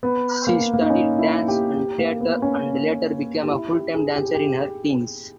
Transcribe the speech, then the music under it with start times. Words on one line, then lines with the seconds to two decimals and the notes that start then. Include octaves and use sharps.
She studied dance and theater and later became a full-time dancer in her teens.
0.03 B3
0.47 A#3
0.73 A#3
0.82 D#4
0.90 C#4
1.19 E4
1.48 G4
1.76 G4
1.98 A#3
2.21 B3
2.42 C#4
3.43 G4
3.51 E4
3.72 G4
3.94 G#4
4.16 G4
4.25 G#4
4.34 G4